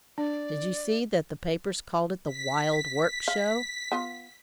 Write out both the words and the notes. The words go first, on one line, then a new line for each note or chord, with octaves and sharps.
Did you see that the papers called it the "Wild Work Show"?'
D4 D5
B6
F5
B3 F4